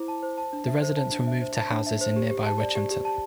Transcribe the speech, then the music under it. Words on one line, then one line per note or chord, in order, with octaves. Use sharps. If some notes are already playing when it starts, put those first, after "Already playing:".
The residents were moved to houses in nearby Witchampton.
Already playing: E4 C5 D6
A5
C5
A5
D4
E5
C5
A5
D4
E5
C5
A5
D4
E5
C5
G4
G4
A5
D5
G4
G4
A5